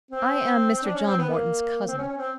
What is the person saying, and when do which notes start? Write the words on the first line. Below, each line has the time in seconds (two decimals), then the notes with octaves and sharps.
"I am Mr. John Morton's cousin."
0.11 C4
0.83 D4
0.95 C#4
1.07 C4
1.18 B3
1.29 A#3
1.88 C4
1.98 C#4
2.08 C#4
2.17 C4